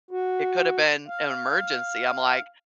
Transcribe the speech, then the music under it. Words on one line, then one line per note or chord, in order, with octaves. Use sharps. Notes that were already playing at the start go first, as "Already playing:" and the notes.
It could have been an emergency," I'm like,
F#4
F5